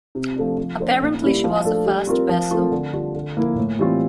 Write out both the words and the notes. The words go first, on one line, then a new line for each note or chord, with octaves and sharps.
Apparently she was a fast vessel.
C3
F3 A3 D4
F3
A3 D4 A4 C5
A#2
G3 A#3 E4
F3
A3 D4 A4
G3
C4 F4 A#4
F3
A3 C4 F4 A#4
D3
G3 D4 F4
D3
F3 A#3 E4 A#4
A2
E3 G3 C4 F4